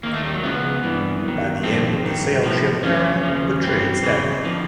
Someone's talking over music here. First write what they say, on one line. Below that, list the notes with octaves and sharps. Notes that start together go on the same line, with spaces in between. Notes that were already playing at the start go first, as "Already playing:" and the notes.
By the end of the sail ship era, the trade stagnated.
D#2 D#3 A#3
A3
G3
F#3
C#2 C#3 F3 B3
G2 E3
F#2 D#3
D#2 D3 F3 C4
G2 D#3
B1 A2 F3
F#2 D3 F3 C#4
D#2 C#3 F3
G2 E3 C4
E2 C#3 E3
D3 F3